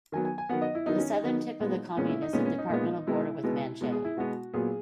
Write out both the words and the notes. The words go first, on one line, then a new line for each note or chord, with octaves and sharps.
The southern tip of the commune is the departmental border with Manche.
D#3 F#3 B3 G#5
G#5
G#5
D#3 F#3 B3 F#5
D#5
E4
D#3 F#3 B3 D#4
C#4
D#4
D#3 F#3 B3
A#2 G#3 B3
A#2 G#3 B3 C#4
E4
D#4
A#2 G#3 B3 C#4
C#4
D#4
A#2 G#3 B3
B2 G#3 B3 E4
B2 G#3 B3
B2 G#3 B3
G#4
E4
B2 G#3 B3 F#4
A#2 F#3 B3 G#4